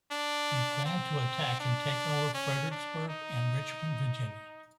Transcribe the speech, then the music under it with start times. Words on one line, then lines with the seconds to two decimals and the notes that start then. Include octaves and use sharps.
He planned to attack and take over Fredericksburg and Richmond, Virginia.
0.12 D4
0.86 C4
1.60 D4
2.35 C#4
2.71 D4
3.09 D#4